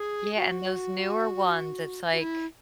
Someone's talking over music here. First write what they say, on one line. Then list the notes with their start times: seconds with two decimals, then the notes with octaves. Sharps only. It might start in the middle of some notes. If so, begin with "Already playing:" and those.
Yeah, and those newer ones, it's like
Already playing: G#4
0.36 F#4
2.13 F#4
2.18 E4